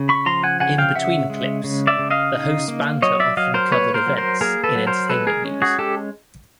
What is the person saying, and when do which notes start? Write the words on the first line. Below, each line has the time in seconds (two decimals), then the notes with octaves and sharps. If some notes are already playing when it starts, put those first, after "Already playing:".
In between clips, the hosts' banter often covered events in entertainment news.
Already playing: C#3
0.09 B5 C#6
0.26 F3 A#5 C6
0.43 F#5 G#5
0.60 C#3 F#5 G#5
0.78 F5 G5
0.95 C#3 E5 F#5
1.30 G#3
1.64 C#3
1.87 D5 E5
1.99 C#3
2.10 D#5 F5
2.33 D#4
2.68 A#3
3.02 F#3 C#5 D#5
3.20 D5 E5
3.37 F#3 D#5 F5
3.54 A#4 C5
3.72 A#3 B4 C#5
3.94 A#4 C5
4.06 F#3
4.17 A#4 C5
4.41 A#3 G#4 A#4
4.64 A4 B4
4.75 F#3
4.87 A#4 C5
5.10 G#3 A4 B4
5.27 G#4 A#4
5.45 C#4
5.62 F#4 G#4
5.79 G#3 G4 A4